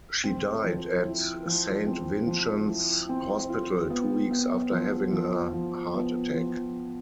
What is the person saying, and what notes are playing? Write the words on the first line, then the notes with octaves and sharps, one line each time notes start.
She died at Saint Vincent's Hospital, two weeks after having a heart attack.
C4
F3
E4
F3
C4
F3
E4
C4
F4
B3
B3
F3
F3
F3
B3
F3